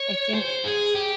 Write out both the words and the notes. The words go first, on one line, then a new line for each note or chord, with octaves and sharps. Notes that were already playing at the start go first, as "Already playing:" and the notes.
I think
Already playing: C#5
C5
G#4
G4